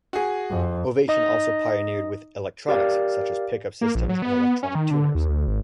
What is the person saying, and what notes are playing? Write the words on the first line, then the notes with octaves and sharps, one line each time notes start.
Ovation also pioneered with electronics, such as pickup systems and electronic tuners.
F#4 G#4
F2
D#4 D#5 D#6
G4 A#4 D5 F5
A#3
A#1
F#3
B3
C#4
D#3
D3
D#2
D2
G#1